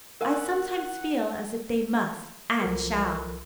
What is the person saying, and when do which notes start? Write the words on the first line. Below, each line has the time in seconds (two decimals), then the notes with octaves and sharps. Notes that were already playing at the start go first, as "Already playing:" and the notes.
I sometimes feel as if they must, and shall.
0.21 D#3 A#4 F5 F#5 G#5
2.61 C2 F3 A4 A#4